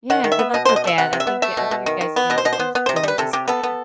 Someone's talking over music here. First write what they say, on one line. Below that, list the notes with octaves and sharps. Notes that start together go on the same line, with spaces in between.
Yeah, good luck with that. I think I think you guys are gonna be just doing just fine.
D#3 F#5
D#3
E5
B3
B2 D#5
C5
B2
D#5
A3
E5
C3 F#5
C3
E5
B3
A3 E5
B2
B2
D#3
D#3
B3
B2 D#5
C5
B2 D#5
C5
B3
B3
C5
C3
D#5
G3 B4
C3 A4
C3 G4
B3 A4
B3